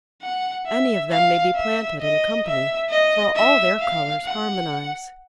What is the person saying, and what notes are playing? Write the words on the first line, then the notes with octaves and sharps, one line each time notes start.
Any of them may be planted in company, for all their colours harmonise.
F#5
E5
F5
E5
D#5
E5
D#5
E5
F5
F#5